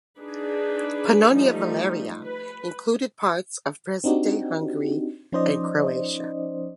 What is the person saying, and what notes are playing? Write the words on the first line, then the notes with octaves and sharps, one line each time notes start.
Pannonia Valeria included parts of present-day Hungary and Croatia.
D4 D#4 G#4 B4
F3 G3 A3 D#4
B4
C4 D4 D#4 F#4 G4
F3 C#4 D#4 C5 D5 D#5